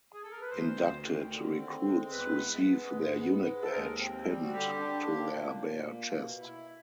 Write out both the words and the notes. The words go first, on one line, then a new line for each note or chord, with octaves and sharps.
Inducted recruits receive their unit badge pinned to their bare chest.
G#4
A4
A#4
B4
D2 C5
D2
D#3
D3
C4
G#3
E2 B4
B3
G#3
G#2
B3
G#3
A4
D#2 A#4
C4
G3
F#4
D3 G4
D4
A#3
A#2
A#2
A#3
B2
E4